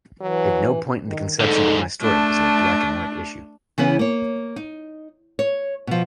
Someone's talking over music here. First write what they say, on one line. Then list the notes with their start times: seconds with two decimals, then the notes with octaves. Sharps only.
At no point in the conception of my story was there a black-white issue.
0.21 E3 F#3
1.08 D#3
1.40 G#2 D3 D#4 A4
2.01 A3 D4
3.78 C#3 E3 B3 C#4
3.99 A#3 C#5
4.56 D#4
5.39 C#5
5.87 B2 F3